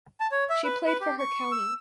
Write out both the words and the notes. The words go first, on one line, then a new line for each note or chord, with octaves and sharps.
She played for her county.
A5
C#5
E5
B4
B4
G4
C#6
E6